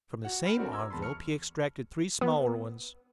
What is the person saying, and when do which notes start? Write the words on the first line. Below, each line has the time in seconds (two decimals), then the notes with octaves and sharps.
From the same envelope he extracted three smaller ones.
0.24 F#4 F#5
0.42 G5 B5 F6
0.57 C4 D4 F#4 A4 A#4
0.71 A#5 D6 E6 G#6
0.90 E2 A5 B5 C6
1.02 C#6 F6 C#7
2.21 B3